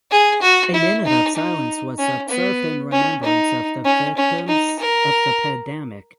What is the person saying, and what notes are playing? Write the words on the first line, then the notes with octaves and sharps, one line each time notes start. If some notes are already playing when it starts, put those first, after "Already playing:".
A minute of silence was observed in remembrance of the victims of the pandemic.
G#4
F#4
E4
D#4
D#4
C#4
B3
C#4
D#4
C#4
C#4
D#4
A#4